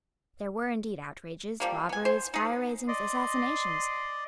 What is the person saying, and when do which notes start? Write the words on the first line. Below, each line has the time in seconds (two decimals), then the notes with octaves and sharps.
There were indeed outrages, robberies, fireraisings, assassinations.
1.60 F3 G3 A#3
1.89 B3 G#5
2.05 C5
2.34 D#4 G#4
2.88 D5 D#5 C6